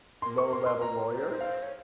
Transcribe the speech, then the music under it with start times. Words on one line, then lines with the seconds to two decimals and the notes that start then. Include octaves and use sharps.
low-level lawyers,
0.22 A#4 C6
0.38 C#6
0.53 C6
0.66 C6
0.82 A#5
1.11 C5
1.41 F5
1.63 C#5